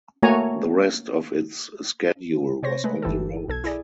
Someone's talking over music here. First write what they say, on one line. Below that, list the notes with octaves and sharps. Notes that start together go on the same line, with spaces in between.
The rest of its schedule was on the road.
A3 A#3 F#4 C#5 G#5 A#5
C3 C5 C#5 A#6
G#3 A3 B4
G1 E3 G4 A4
B1 A4 G#6
E4 G#4 D5